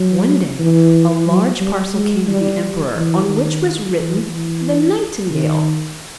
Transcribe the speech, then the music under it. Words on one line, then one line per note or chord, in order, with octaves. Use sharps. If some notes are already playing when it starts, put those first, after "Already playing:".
One day a large parcel came to the Emperor, on which was written "The Nightingale."
Already playing: F#3
E3
F#3
G3
G#3
G3
E3
D#3
E3
E3
D#3